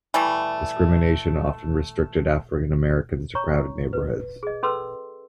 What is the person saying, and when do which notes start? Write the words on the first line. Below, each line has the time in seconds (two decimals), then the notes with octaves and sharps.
Discrimination often restricted African Americans to crowded neighborhoods.
0.14 E3 G3 A3
3.35 C#5 A#5 C#6
3.93 B4
4.43 G#4 D#5
4.63 C#4 A4 B4 C6 E6